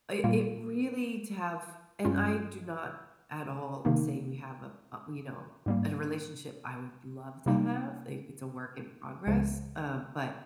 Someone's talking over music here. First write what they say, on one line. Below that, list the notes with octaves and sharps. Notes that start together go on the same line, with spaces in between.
it it really to have and I do not at all say we have a a, you know, and a relationship I would love to have, like, it's a work in progress, um, but
A#2 G3 A#3 F4
G2 G3 C#4 F4
C3 D#3 A#3 D#4
G#2 G3 A#3
C3 G3 A#3 D#4
C#2 C#3 F3 G#3